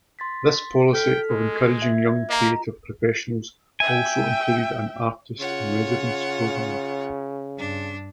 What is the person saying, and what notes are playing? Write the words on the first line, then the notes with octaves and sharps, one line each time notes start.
This policy of encouraging young creative professionals also included an Artist-in-Residence program.
C6 A6 B6
A4 G5 F6 B6
G#3
E5 G#6
A#3 D#5 A#5
E5 G5 G#5
C#3 F4 C#5 F#5
G2 D4